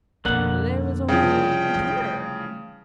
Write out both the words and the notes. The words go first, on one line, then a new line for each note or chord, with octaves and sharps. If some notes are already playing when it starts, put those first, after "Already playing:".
"There was only HER."
F2 B2 D3 A#3 F#5
C2 C#3 F3 G5
E3 A3